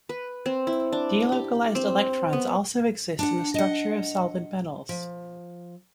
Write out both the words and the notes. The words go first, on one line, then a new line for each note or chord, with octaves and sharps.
Delocalized electrons also exist in the structure of solid metals.
B4
C4
E4
D4
G4
C4
B3
D4 F#5
D#5 F#5
F3